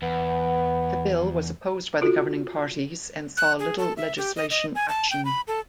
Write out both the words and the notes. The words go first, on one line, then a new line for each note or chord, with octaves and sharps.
The bill was opposed by the governing parties and saw little legislation action.
E2 B3
F4 F#4 A4
F#6
G#4
A4
E5
G4
D#5
D#5
G#5
A5
G5
B5
A4